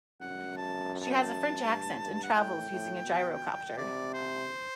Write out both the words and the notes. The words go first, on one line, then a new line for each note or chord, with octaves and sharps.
She has a French accent and travels using a gyrocopter.
F#2 F#5
A5
A5
G5
A5
G2
G2
F#5
A2 G5
A2
B2
C3 D5
C5